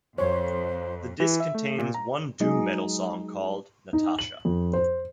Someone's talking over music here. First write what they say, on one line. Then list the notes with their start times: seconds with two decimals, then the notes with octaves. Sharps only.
The disc contains one doom metal song called "Natasha".
0.18 F2 C5 C#5
1.20 E3
1.40 E5
1.55 A3
1.78 A#2
1.94 A#5
2.40 F#3 G#3 D#4 G#4 D#5
3.93 D#4
4.19 F#7
4.45 F2
4.73 C5